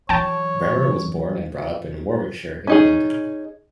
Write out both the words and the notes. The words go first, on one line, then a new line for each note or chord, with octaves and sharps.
Bremmer was born and brought up in Warwickshire, England.
E3 F#3 C#5 G5 A5
C#4 D#4 G#4